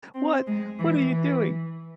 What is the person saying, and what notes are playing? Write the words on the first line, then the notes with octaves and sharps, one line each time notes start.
What what are you doing?
C4
G#3
E3
E3